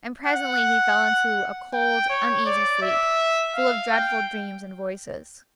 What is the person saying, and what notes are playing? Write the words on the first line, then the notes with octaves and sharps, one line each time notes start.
And presently he fell into a cold, uneasy sleep, full of dreadful dreams and voices.
F#5
G5
C#5
D5
E5
F5
G5